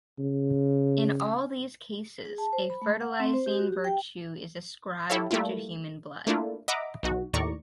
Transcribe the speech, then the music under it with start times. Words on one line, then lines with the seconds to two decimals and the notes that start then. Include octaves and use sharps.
In all these cases a fertilizing virtue is ascribed to human blood.
0.19 C#3
2.25 G#4
2.38 A5
2.53 C5
2.70 B5
2.82 A3
3.01 F#5
3.20 C4
3.33 C5
3.46 G4
3.59 F#4
3.72 G4
3.84 G5
5.10 E4 G4 A4 C#5 F5
5.31 G3 A3 A#3 E4 F4
6.27 A3 A#3 D4 E4 F4
6.68 D#5 E5 F#5 A#5 B5 D6
7.03 B1 D#4 F#4
7.33 D#2 A2 D5 A#5 C#6